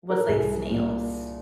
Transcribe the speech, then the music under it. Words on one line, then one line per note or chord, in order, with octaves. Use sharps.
was like snails.
A#4
A4
C2 G#4
A#2